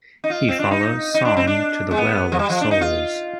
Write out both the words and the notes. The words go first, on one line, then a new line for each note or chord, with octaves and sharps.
He follows Song to the Well of Souls.
D#4
F4
C4
D4
D#4
D#4
D4
C4
D4
G#3
B3
F3
G3
F3
D4
D#4
F4